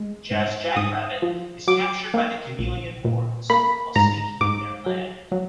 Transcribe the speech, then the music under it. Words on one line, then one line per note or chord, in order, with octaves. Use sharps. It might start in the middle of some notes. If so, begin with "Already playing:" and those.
Jazz Jackrabbit is captured by the chameleon hordes while sneaking in their land.
Already playing: G#3
G#2
G#2 D#6
F3
F#3 D6
A#3
A#1
A#2
A#3 B5
G#2 A#5
G#2 D6
F#3
F#3